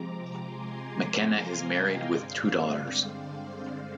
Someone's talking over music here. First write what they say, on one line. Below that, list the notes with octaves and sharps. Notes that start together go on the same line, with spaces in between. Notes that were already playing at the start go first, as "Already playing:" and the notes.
McKenna is married with two daughters.
Already playing: C3 F3 G#3 C4 A#5 D6
G#5 C6
F5 G#5
D#5 G5
G2 D3 G#3 C4 D5 F5
D5
C5